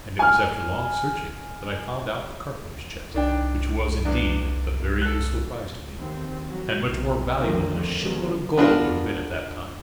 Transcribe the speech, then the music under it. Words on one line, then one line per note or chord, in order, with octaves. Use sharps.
And it was after long searching that I found out the carpenter's chest, which was, indeed, a very useful prize to me, and much more valuable than a ship-load of gold would have been at that time.
G#5 F6
C2 D#3 D4 G5
E2 D4
A4 F#6
D#2 C4
F#3
B1 C3
D3 D#3 F3 A3 A#3 C4
B2 D#3 F#3 G#3 A#3 C#4
B3 D4 F4 A#4